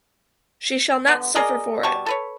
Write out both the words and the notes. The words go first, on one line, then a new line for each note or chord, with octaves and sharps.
She shall not suffer for it!
D3 B3
G#4 A#4 D5 D#5
B2 G3 A5 C#6
A4 B4 C#5